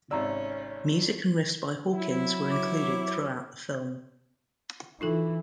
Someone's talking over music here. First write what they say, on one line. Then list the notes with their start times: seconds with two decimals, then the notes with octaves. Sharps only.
Music and riffs by Hawkins were included throughout the film.
0.11 G#1 C3 C#4 D5 A#5 E6
1.94 F#3 E4
2.51 C#5 D6
5.01 E3 D#4 F4 A4